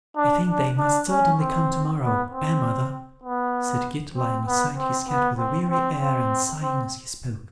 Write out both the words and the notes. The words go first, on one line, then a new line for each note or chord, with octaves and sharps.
'I think they must certainly come to-morrow, eh mother?' said Kit, laying aside his hat with a weary air and sighing as he spoke.
D4
D4
D4
C#4
C4
B3
C4
B3
C4
B3
C4
B3
C4
C4
C4
C4